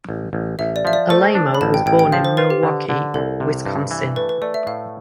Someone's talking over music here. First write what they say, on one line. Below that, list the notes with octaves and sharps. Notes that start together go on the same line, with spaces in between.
Alaimo was born in Milwaukee, Wisconsin.
A1
A1
A1 E5
D5
F3 E5
D5
A3 C5
D4
B5
A1 A5
G5
A1 G5
G5
F3 F5
C5
F4 B4
G4
D3
D3
C2 A4
C3
G2
E3
A3 B4
B4
A3 D5
E5
A2 F5